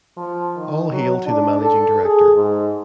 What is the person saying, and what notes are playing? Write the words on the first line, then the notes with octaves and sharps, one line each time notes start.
All hail to the managing director!
F3
D#3
F#3
D4
A4
G#4
G#2